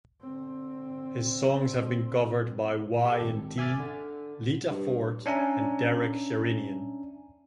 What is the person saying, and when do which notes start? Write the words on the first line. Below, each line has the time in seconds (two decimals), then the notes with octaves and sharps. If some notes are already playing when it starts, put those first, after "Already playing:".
His songs have been covered by Y and T, Lita Ford and Derek Sherinian.
0.22 D3 C4
3.05 G4 A4
3.21 G#1
3.58 E5 G#5 D6 F6 A6
3.80 D3
4.70 G2
5.26 C#4 D4 E5 G#5 A#5